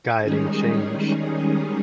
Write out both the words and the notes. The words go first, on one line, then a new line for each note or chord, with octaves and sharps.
guiding change,
D#3 G3 G#3 C#4 D#4 G#4